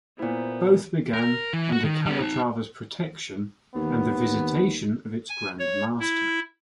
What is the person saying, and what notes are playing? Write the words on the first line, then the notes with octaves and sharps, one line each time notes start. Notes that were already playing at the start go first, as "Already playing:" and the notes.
Both began under Calatrava's protection and the visitation of its grand master.
A#2 B3 E4 C5
A#4
E3
F#4
D#3
G3 B3
D#4 A5
D#2 B3
G#5
C#5
E4